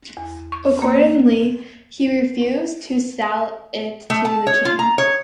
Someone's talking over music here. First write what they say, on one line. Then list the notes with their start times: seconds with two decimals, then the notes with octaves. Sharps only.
Accordingly, he refused to sell it to the king.
0.17 E2
0.52 C#6
0.82 A#3
4.10 A3
4.25 A5
4.47 C#5
4.65 F4
4.79 A#5
4.98 C#5